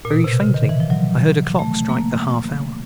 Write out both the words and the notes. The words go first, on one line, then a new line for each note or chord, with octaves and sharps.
Very faintly I heard a clock strike the half-hour.
A#2
B2
C3
C#3
D#3
E3
F3
F#3
A3
A3
A#3